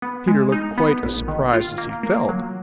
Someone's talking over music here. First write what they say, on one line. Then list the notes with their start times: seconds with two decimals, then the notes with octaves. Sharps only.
Peter looked quite as surprised as he felt.
0.02 B3
0.28 G#3
0.52 D#4
0.78 B3
1.03 A#1
1.28 D#3
1.53 F4
1.78 A#3
2.03 A#3
2.29 F#3